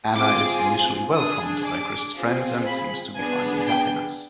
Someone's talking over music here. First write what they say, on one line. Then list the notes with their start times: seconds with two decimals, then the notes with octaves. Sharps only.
Anna is initially welcomed by Chris's friends and seems to be finding happiness.
0.14 C4 F4 G#4 D6
1.15 D4 G#4 D#6
1.65 D6
2.16 C4 F4 G#4
2.66 B5
3.16 B3 D4 G#4 G#5
3.67 G5